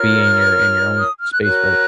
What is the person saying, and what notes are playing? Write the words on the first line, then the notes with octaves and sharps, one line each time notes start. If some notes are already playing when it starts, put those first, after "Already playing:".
be in your in your own space, right?
Already playing: F4 A#4 C#5 F6
D#6
F6
F#6
F#4 A#4 C#5 F#6